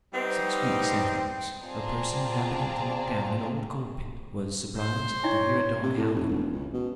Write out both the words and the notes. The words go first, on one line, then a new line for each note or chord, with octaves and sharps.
Six weeks afterwards a person happening to look down an old coal-pit, was surprised to hear a dog howling.
G3 B3 C4 D#4
C4 F4 G#4 D5 A5 A#5
C5 C6
D4 E4 C#5 D#5
C3
A2
F1
E1
C#2
B2